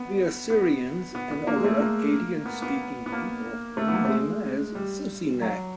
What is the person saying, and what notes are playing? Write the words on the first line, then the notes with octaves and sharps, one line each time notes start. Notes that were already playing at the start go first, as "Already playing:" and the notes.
The Assyrians and other Akkadian-speaking people knew him as Susinak.
Already playing: B3
B3
B3
B3
A#3
G#3
A3
A#3
B3
B3
B3
A#3
A3
B3
A#3
A3
G#3
G3
F#3